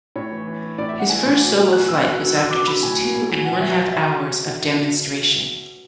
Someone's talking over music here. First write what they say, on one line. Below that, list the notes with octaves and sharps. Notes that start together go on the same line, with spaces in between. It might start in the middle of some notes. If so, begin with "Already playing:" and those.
His first solo flight was after just two and one-half hours of demonstration.
A2 C#5
E3
E3
E3
A2 D5
E5
A2
F#5
E3 G#5
A2
B2
F#3
B2 F#6
B2 E6
F#3 F#6
F#3
F#3 E6
B2 D6
F#3 B5
A2 G#5
F#3
A2
F#3 G#5
B2 F#5
F#3 E5
F#3
F#3 E5